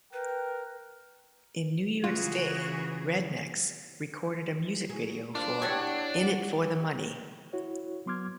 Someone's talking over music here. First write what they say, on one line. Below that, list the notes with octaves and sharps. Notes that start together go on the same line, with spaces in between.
In New Year's Day, Rednex recorded a music video for "Innit for the Money".
A#4 B4 G5
C#3 E3 F4 F#4 G#4
F#3 G#4
D4 F4 C5 F5
E4 G4 C#5 E5 F#5 A5
E4 F#4 C#5
F#3 B3 C6 D6 F6 G#6